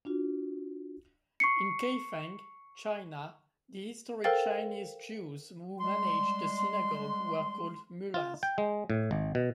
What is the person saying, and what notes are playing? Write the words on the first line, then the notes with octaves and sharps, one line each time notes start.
In Kaifeng, China, the historic Chinese Jews who managed the synagogue were called "mullahs".
D4 F4 F#4
C#6 C7 C#7
A4 A#4 C5 F5 G5 A6
G3 G#3 C6
F4
G5
G#3
A2
G#1
B2